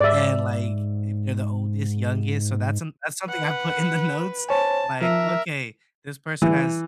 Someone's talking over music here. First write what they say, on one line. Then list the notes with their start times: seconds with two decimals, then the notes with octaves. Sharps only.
and, like, if they're the oldest, youngest, so, that's an that's something I put in the notes, like, "Okay, this person has
0.01 G#2 D5 E5
3.29 B4 F#5
4.49 C5 C#5 G#5 A5
5.01 F3 A#4 E5
6.42 E3